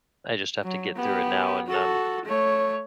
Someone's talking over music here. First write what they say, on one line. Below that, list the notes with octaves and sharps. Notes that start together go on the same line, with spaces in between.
I just have to get through it now and, um,
F#3
B3 G4
F#4 A4
A3 C#5